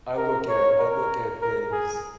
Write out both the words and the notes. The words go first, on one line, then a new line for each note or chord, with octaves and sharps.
I look at I look at things
A#4
C#5
A#4
A#4
G#4